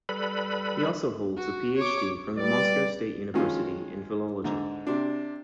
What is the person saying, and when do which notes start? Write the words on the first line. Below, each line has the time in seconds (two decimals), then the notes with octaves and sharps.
He also holds a Ph.D from the Moscow State University in philology.
0.09 G3 A4 B4 B5
1.37 F#4
1.77 C#5 D6
2.37 G3 B4 D5
3.34 D#3 F3 G#3 C#4 F4
4.44 G#2 D3 D#4
4.87 C3 D4